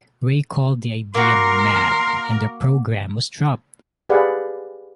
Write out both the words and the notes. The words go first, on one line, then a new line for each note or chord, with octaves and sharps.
Ray called the idea "mad", and the programme was dropped.
A#3 F#4 A#4 C6
G4 G#4 B4 D5 F5 F#5